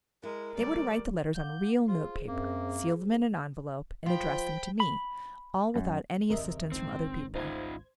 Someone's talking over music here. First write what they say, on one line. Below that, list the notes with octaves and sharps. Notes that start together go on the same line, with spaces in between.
They were to write the letters on real note paper, seal them in an envelope, and address them to me, all without any assistance from other people.
G#3 E4 A#4
D#2 G3 A3 D5
F5 F#5 D6 G6
F4 G#4 C5
F#2 A#3 C4
F3 F4 G5 B5
B5
F#2
F#1 D#2 C3 A#4 D#5 E5
G#1 C#2 D#3 C4
D#4 F4 C5 G#6